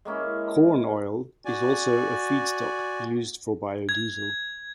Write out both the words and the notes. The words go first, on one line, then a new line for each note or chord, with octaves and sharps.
Corn oil is also a feedstock used for biodiesel.
G#3 A#3 C#4 E4
F#4 D5 G#5
G#6